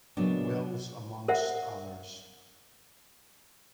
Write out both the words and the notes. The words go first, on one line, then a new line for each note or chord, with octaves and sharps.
Wills, amongst others.
A#2 C#3 F#3 G#3 B3 D4
A#4 C5 E5 F#5